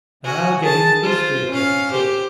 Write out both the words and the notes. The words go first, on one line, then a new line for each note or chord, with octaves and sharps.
"And I'll get into this vehicle," he said.
F#4 G#5
G#4 A5
F4 C5
C#4 F5
G4 C5